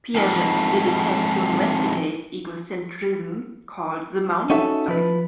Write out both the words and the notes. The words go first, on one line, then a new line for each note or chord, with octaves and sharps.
Piaget did a test to investigate egocentrism called the mountains study.
F2 G#2
C#4 D#4 F#4 A4 E5
F3 B4